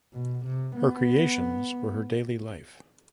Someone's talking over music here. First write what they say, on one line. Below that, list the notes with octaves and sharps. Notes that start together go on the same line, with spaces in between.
Her creations were her daily life.
B2
C3
B3